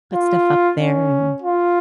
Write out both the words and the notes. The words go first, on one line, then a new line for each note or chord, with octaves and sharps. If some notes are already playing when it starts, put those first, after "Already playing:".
put stuff up there and,
F4
C#4
F4